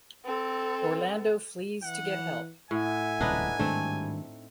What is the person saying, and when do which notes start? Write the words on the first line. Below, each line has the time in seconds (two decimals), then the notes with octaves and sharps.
Orlando flees to get help.
0.24 C4 A4
1.84 E3 F#5
2.71 A2 E5 F#5 G#5
3.21 D#1 C#2 D4 D#4 B4
3.59 D2 G#2 D#3 G3 A3 C4 D4